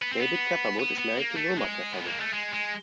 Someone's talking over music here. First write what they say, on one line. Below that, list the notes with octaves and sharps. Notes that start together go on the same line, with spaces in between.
David Catherwood is married to Wilma Catherwood.
B3
C4
B3
B3
B3
A#3
A3
G#3
B3
A#3
A3
G#3
G#3